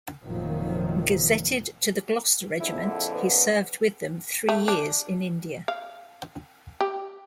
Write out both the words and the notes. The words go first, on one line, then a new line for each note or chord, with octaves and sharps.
Gazetted to the Gloucester Regiment, he served with them three years in India.
F1 A#2 D#3 F3 F#3
A#1 F2 D3 E4
B3
A3
D4
F5
G4